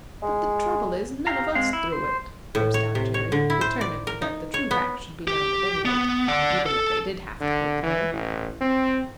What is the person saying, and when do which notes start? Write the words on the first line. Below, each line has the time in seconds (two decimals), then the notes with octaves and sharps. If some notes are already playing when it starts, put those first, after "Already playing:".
"But the trouble is, none of us threw it!" burst out Jerry, determined that the true facts should be known at any rate, even if they did have to foot the bill.
0.22 G#3
1.27 G4 F5 A#5
1.55 G#3 C4 F5
1.73 E4
1.92 C5
2.55 A2
2.74 C#5
2.95 C3
3.14 C#5
3.32 D3
3.50 E4
3.61 C5
3.81 D5
4.07 A#4
4.22 D#4
4.54 C#5
4.71 B3
5.28 G4
5.85 B3
6.28 D5 F#5
6.66 A4
7.41 D3
7.83 E3
8.13 A1
8.61 C4